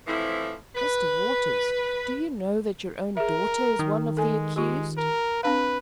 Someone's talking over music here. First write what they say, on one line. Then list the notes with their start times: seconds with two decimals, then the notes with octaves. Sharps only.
"Mr. Waters, do you know that your own daughter is one of the accused?"
0.07 A2 E3 F3 A3 C4 E4
0.76 B4
3.17 G#4 A#4 E5
3.79 D#3
4.17 G#3 A4 G#5
4.56 G#3 F4 G4
4.97 A#4
5.43 C4 D4 B4 F5